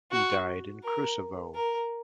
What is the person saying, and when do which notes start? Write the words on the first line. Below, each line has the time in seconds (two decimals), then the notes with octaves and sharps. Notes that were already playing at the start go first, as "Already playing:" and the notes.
He died in Krusevo.
0.11 F#4
0.83 A#4
1.55 A#4